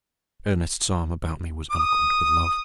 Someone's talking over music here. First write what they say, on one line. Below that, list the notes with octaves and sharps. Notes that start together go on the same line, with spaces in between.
Ernest's arm about me was eloquent with love.
D#6